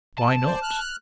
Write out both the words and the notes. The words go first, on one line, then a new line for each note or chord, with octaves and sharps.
"Why not?"
A5
C5 D5
F6 F#6